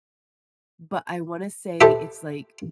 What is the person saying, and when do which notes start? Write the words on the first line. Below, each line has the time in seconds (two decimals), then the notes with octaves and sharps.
but I wanna say it's, like
1.81 G4 A4 B4 C5 E5